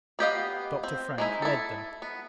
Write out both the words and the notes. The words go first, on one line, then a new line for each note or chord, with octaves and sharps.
Dr. Frank led them.
B3 G4 D#5 F5
C4
G#3 D#4 E4
E4 A4
B3